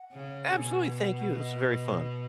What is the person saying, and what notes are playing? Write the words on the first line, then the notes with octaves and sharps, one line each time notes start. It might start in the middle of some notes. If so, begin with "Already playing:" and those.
Absolutely, thank you. This was very fun.
Already playing: F#5
C#3
B2 G#5
F#5
F#5
F#5
D#5